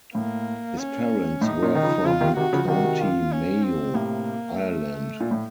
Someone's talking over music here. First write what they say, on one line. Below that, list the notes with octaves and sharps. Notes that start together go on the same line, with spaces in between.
His parents were from County Mayo, Ireland.
A2 A#3
C#4
A2 D#4
A#2
D#3 D#4
C#3 F3
C#3 F3 F4
C3 D#3
C3 D#3 F#4
C#3 F3
C3 D#3 F#4
F4
C#4
C4
A2 C3 A#3
A3
A#2
A2